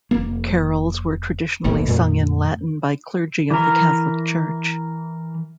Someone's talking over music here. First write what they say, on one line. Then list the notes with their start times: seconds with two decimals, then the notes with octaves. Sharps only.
Carols were traditionally sung in Latin by clergy of the Catholic church.
0.11 F1 A#3
1.64 E1 B1 A2 A#3
1.88 F2 A#2 A3
3.50 E3 A#4